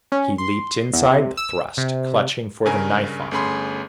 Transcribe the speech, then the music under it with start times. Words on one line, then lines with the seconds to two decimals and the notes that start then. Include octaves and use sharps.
He leaped inside the thrust, clutching for the knife arm.
0.12 C#4
0.38 C6
0.93 E2
1.10 C3
1.37 E6
1.77 C3
2.65 G2 C#3 A#4 G#5
3.31 G1 A3 C#4 G#4 B5 C6